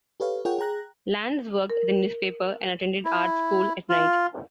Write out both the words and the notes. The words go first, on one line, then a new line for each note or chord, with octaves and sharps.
Lantz worked at the newspaper and attended art school at night.
G4 A4 B4 C#5 F5
F4 G#4 A#4 C#5 F#5 G5
G#4 G5 A#5 F#6 A#6
A#4
E4
F4